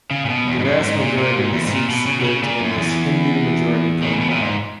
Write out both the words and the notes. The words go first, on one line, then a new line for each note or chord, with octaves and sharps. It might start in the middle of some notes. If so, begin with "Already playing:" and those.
The vast majority of the Sikhs lived in this Hindu-majority Punjab.
C#3
A#2
B2
E2
G#2
F#2
G#2
A#2
A#2
G#2
E2
G#2
A#2
B2
C#3
B2
C#3
A#2
F#2
E2
D#3
C#3
B2
A#2
G#2